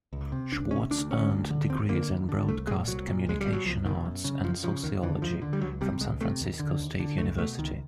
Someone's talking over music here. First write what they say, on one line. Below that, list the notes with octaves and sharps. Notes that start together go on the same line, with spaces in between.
Schwartz earned degrees in Broadcast Communication Arts and Sociology from San Francisco State University.
C#2
C3
C#2 D4
C3 C#4
D2 D4
D3 C#4
D2
D3
D#2 C4
D3 A#3
D#2
D3
C2 A3
A#2 G#3
C2 F#3
A#2
C#2 G#3
G3
B2
F#3
C#2 F3
B2 D#3
F#2
C#3
F#2 F3
C#3 F3
D#2 D#3
D3 E3
D#2 F3
D3
G3
C#2 F#3
C3 G3
C#2 G#3
C3 A3
D#2
D3
D#2
D3
C#2 A3
B2 A3
C#2 D#3